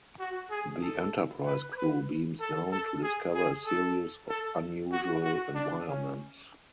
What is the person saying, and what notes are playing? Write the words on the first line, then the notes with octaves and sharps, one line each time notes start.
The "Enterprise" crew beams down to discover a series of unusual environments.
F#4
G#4
A4
B4
B4
A4
A4
G#4
G#4
A4
A4
F#4
F#4
D4
C#4